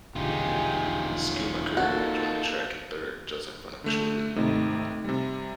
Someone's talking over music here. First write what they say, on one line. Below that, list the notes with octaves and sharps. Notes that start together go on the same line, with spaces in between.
Schumacher rejoined the track in third, just in front of Trulli.
E1 A#1 D3 D#4 F4 G4 G#4
C#4
A#3 F#4 A4
D3 A3 G6
G#1 C3 A3 D#4
C3 G3